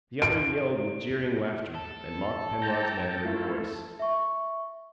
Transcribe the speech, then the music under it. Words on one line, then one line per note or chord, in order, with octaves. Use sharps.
The other yelled with jeering laughter, and mocked Penrod's manner and voice.
D7
A4
G5 A5 A#5
A3 E4 F4
E5 C#6